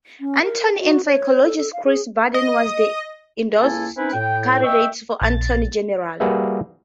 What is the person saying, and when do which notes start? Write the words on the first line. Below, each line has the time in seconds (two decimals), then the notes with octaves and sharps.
Attorney and psychologist Chris Barden was the endorsed candidate for attorney general.
0.21 C#4
0.43 A#4
0.79 F#4
1.06 C#5
1.44 A4
1.58 A4
1.73 F5
1.85 G#4
2.34 D#5
3.61 C#2 A#3 E4 A4 G#5
3.97 C4 C#4 D#4 E4 B4 G#5
4.13 A2 G5
4.63 D#5 E5 G5 C#6 E6
5.22 A#1 A6
6.20 G3 A#3 F#4 G#4 B4 E5